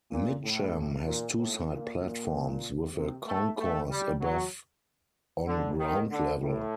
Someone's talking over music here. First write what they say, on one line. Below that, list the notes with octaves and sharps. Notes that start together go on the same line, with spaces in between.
Mitcham has two side platforms with a concourse above on ground level.
A#2
A2
A#2
A2
A#2
A#2
C3
A3
A3
G3
F#3
D3
D#3
D3
A2